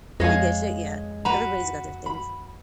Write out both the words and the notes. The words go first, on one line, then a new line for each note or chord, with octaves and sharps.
I get you, yeah. Everybody's got their things.
F2 G#3 C#5 D#5 F5 G#5
F#4 B4 A#5
B5